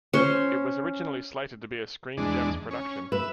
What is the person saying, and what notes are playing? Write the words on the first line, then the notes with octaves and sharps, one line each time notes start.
It was originally slated to be a Screen Gems production.
C#4 C5
E2 G#3 D4
C#4
B4 E5